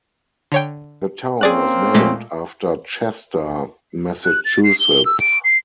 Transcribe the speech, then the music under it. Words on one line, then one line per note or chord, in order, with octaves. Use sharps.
The town was named after Chester, Massachusetts.
D3 C#5 G5
A#3 C4 C#4 G#4 D5 F#6
A#2 G#3 A3
F#6
A6
C7
G7
E6
D7
C7